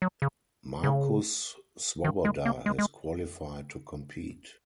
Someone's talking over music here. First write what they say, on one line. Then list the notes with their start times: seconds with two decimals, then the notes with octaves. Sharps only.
Markus Swoboda has qualified to compete.
0.02 F#3
0.22 C#3
0.84 C#3
2.04 D#3
2.25 G#3
2.45 A#3
2.66 G#3
2.78 G#3